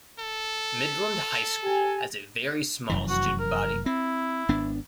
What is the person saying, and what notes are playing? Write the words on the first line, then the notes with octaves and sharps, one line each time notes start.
Midland High School has a very small student body.
A4
G4 G#5
F1 F#2 E3
F#4
A#4
C4 E4
G#1 B3 D4